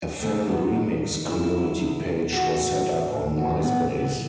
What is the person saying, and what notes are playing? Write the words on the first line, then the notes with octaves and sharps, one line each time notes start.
A fan remix community page was set up on MySpace.
C#3 A3
F#3 B3
E2 D#4
E2
C#3 E4
F#3
E2
E2
E3 F#4
A2
E3
A2
E3 F#4
A2 B3
E3 B3